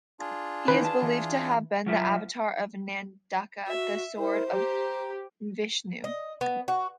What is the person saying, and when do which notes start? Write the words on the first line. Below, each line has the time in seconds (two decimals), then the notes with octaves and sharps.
He is believed to have been the avatar of Nandaka, the sword of Vishnu.
0.20 D4 F4 G#4
0.68 D#2 E3 D#4 B4
0.85 A5
1.02 E3
1.86 F#3 F4 E5
3.67 F#4 E5
4.16 E4 A#4 C5
4.49 G4 A#5
6.04 D#5
6.41 B3
6.68 F#4